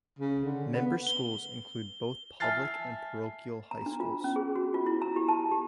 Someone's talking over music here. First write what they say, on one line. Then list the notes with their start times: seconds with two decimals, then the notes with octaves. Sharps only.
Member schools include both public and parochial high schools.
0.19 C#3
0.45 D3
0.74 B3
1.07 G7
2.40 E5 G#5 A5 F6 A6 C7
3.71 A#5
3.86 D4
4.00 F4
4.24 C#4
4.36 G#4
4.56 F#4
4.74 F4
4.86 E4
5.02 A#5
5.16 G4
5.28 A5
5.51 G4